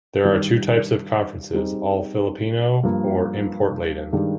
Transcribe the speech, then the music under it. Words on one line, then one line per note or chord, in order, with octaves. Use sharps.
There are two types of conferences: All-Filipino or import-laden.
G2 D#3 G3
G3 C4 D#4 G#4
G2 F3 A#3
G2 D#3 G#3 D4 G4